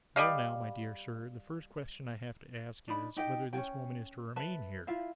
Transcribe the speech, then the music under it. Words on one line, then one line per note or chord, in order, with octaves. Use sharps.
Well now, my dear Sir, the first question I have to ask, is, whether this woman is to remain here?'
G3 D5 D#5 F5
D4 D#4 B5
D#4 G4 D#5 G5
C#4 F4 G5
B4 E5 A5
E4 F4 E5 F5